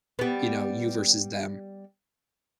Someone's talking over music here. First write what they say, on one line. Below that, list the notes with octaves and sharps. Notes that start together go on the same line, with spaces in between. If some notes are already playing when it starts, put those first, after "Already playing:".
you know, you versus them,
G3 B3